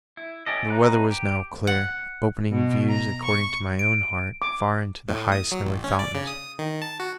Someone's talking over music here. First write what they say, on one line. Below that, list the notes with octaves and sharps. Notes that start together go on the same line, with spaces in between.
The weather was now clear, opening views according to my own heart far into the high snowy fountains.
E4
C#4 G4 A4 D#5
C4 D#4 B4 A#5 F#6
G4
F#5
B2
A#5
C#6
D7
D6
A2
D#6
F#3
A1
C#4
D5
C#3
D#6
D#3
A5
F#4